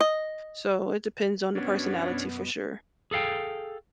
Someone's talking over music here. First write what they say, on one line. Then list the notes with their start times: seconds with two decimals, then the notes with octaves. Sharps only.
So it depends on the personality for sure.
0.01 D#5
1.55 F#2 B2 B3 C#4 D4
3.11 G#4 A4 F5 G5